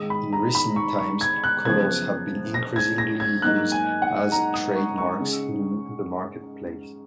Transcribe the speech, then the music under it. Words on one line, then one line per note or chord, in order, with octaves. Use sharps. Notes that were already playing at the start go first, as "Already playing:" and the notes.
In recent times colours have been increasingly used as trade marks in the marketplace.
Already playing: G#2 D#3 G#3 D#6
B5
A#5
B5
C#6
C#6
G#6
F#6
F#2 C#3 F3 B3 G#6
A#6
G#6
A#6
G#6
G#2 F#3 A#3 D#4 F#6
G#5
F#5
A#5
D#6
C#6
C#6
C#3 G#3 C#4